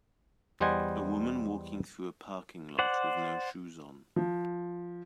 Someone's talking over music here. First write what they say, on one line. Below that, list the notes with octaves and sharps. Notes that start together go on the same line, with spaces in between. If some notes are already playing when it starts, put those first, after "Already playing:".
A woman walking through a parking lot with no shoes on.
E2 G3 C5 D#5 F#5 G#5
C5 D5 F#5
F3